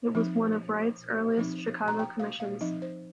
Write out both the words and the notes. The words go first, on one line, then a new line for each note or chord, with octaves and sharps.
It was one of Wright's earliest Chicago commissions.
F3 C4 D#4
F3 C4 D#4
A#5
G5
F5
F5
F3 C4 D#4 D#5
C5